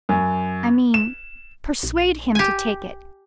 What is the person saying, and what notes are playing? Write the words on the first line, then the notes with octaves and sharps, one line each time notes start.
I mean, persuade him to take it....
F#2
E7
A#1
G4 G#5